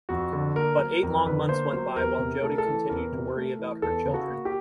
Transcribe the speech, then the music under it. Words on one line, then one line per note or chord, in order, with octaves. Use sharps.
But eight long months went by while Jodi continued to worry about her children.
F2 F#4
D3
A#3 A#4
F#3
F2 A#4
D3 B4
A#3 C5
F#3 C5
E2 A#4
C3
A3 A4
A#4
A4
E3
E2 A#4
C3
A3
E3
E2 A4
C#3
F#4
A#3
G4